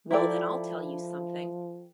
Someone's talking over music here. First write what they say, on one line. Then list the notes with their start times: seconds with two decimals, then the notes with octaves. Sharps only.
Well, then, I'll tell you something.
0.11 F3 E4 A4 D5 G5 A#5